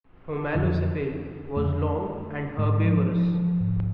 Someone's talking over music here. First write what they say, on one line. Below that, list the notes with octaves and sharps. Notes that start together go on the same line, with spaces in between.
"Homalocephale" was long and herbivorous.
F2 D3
F2 D3 A3
G#2 G#3
F3
F3
F3
G#2